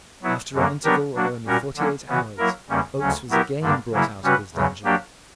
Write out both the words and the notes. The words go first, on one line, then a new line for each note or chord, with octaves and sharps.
After an interval of only forty-eight hours, Oates was again brought out of his dungeon.
F#3 B3 E4
F#2 D3 F#3 A#3
F#3 B3 D4 G4 A#4
F#3 A#3 D4 F#4
A#2 G3 C#4 F#4 A#4
D3 F#3 A#3 C#4
C#3 E3 B3 F#4
F#3 A#3 E4 A#4
E2 C#3 G3 A#3 C#4
D2 C#3 F#3 C#4
F#3 B3 E4 G4 A#4
G2 D3 G3 A#3 D4
C#3 F#3 A#3 E4
C#3 G3 C#4 F#4 B4
E2 C#3 F#3
F#3 A#3 D4 G4